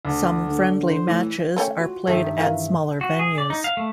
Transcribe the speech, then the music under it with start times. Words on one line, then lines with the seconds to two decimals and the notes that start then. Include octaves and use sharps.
Some friendly matches are played at smaller venues.
0.05 D2
0.48 D3
0.90 C5
1.07 A2 E3
1.57 A3 C#4 G5
1.80 F4 F#4
2.07 G2 D#3 A4 E5
2.40 E3 F4 A#4
3.01 F#4
3.19 G#4
3.38 D5
3.50 D#4
3.64 F5
3.77 A3